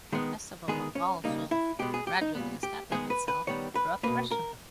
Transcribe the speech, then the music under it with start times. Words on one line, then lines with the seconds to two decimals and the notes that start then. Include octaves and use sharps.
The festival of All Souls gradually established itself throughout Christendom.
0.12 D#3 G#3 B3
0.68 D#3 G#3 B3 G#4
0.95 C#4
1.24 C#3 G3 A#3 D#4
1.51 E4
1.79 B2 G#3 B3 G4
1.94 G#4
2.07 G4
2.21 D#4
2.35 A#2 G3 B3
2.63 G4
2.91 D#3 G#3 B3 G#4
3.10 B4
3.28 B4
3.47 D#3 G3 B3 C#5
3.75 B4
4.03 B2 A#3 B4
4.31 A#4